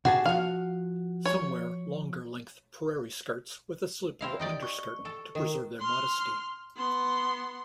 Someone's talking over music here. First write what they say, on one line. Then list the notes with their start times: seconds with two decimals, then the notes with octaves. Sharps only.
Some wear longer-length prairie skirts with a slip or underskirt to preserve their modesty.
0.05 C3 F#4 G#4 A5
0.25 F3 F#4 F5
1.25 C#5
4.21 C4 E4 F5
4.40 D#4 G4 D5
4.63 C#6
5.05 A4
5.35 D#3 A#4
5.80 C6 F6
6.77 B3 C6